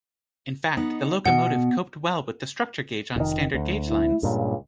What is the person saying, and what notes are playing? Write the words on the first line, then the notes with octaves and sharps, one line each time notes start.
In fact, the locomotive coped well with the structure gauge on standard gauge lines.
B3 D#4
B2 F#5
F1 D#3
D2
E4
C#2 G2 A#2